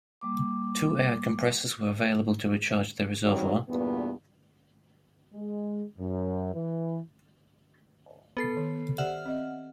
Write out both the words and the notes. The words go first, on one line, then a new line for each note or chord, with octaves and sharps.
Two air compressors were available to recharge the reservoir.
G3 A#3 D6
G#2 C3 D#3 F#3 G3
E2 G2 A#2 B3
G#3
F#2
E3
B3 A4 C7
D#3
G4 C5 D5 E5 F#5 F6
C4 D#5